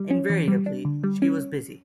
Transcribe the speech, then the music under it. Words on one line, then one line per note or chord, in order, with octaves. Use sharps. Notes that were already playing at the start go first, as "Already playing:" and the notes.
Invariably she was busy.
Already playing: G3
C#4
E3
G3
D4
D3
G3
C#4